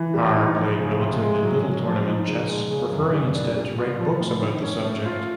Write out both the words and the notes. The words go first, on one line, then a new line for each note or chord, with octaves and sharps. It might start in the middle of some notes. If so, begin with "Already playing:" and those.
Parr played relatively little tournament chess, preferring instead to write books about the subject.
Already playing: E3
G3
D#4
F3
C#3
C3
G#3
F#3
C#4
F3
D#4
C#3
G#3
C#3
F#2
G3
D4
G3
F4
F3
A2
D#3
C#4
A3
F4